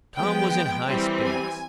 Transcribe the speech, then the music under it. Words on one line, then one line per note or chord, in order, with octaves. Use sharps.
Tom was in high spirits.
F3 G#3 B3 G5
E3 G3 C4
G#5